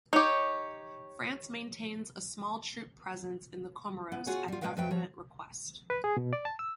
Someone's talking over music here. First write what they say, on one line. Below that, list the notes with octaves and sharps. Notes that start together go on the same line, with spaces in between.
France maintains a small troop presence in the Comoros at government request.
D#4 G4 C#5
B3
F4 F#4 G#4 C#5 F#5
G3 F4
A#2 G#3 C4 B4 F5 G5
F2 F3 B4 E5 G5
F3 C#5 A#5
B4
G#4
B2
D5
A5
E6